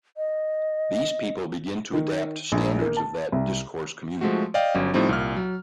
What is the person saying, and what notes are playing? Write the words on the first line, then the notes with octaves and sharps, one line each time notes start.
These people begin to adapt to standards of that discourse community.
D#5
D#3
A#1
A#3
A5
C2
F3 G#3 A3 F#4
D5 D#5 F5 G5
G1 F#3 C#4
A2 F3 G3 C4 D#4
C2 A#2 F6
F#3